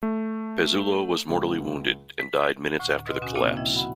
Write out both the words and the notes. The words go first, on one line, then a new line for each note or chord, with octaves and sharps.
Pezzulo was mortally wounded and died minutes after the collapse.
A3
C#2
B6
D2 A2 D3
B2 B4 D#5 C6 F6
D2 B2 C#4 F#4 G#5
A#2 C#3 A#3 C4 D#4
F3 E4 D#5 E5 G5 G#6
F#4 F#5 B5